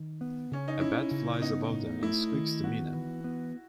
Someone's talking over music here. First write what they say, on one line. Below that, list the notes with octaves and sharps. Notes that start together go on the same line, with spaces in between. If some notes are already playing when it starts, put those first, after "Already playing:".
A bat flies above them and squeaks to Mina.
Already playing: D#3
B3
C#3 C#4
D#4
C#4 E4
C#3
B3 D#4
A2
A3 E4
D#3
B3 F#4
E3
B3